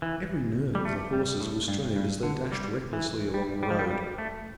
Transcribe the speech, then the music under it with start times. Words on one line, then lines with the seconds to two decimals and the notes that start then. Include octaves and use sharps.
Every nerve of the horses was strained as they dashed recklessly along the road.
0.02 E3
0.75 G3
0.85 A3
1.13 G3
1.40 A2
1.68 G2
1.96 G2
2.23 D3
2.52 G3
2.93 E3
3.34 G3
3.63 G3
3.70 F3
3.79 G3
3.91 G3
4.18 A3